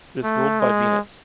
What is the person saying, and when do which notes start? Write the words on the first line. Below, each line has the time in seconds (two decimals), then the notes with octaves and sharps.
It is ruled by Venus.
0.24 A3
0.60 G#3